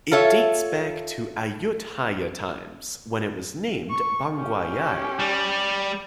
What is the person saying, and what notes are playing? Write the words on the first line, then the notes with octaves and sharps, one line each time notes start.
It dates back to Ayutthaya times, when it was named Bangwayai.
F4 A4 C#5 E5
C#6
C#4 G4
G3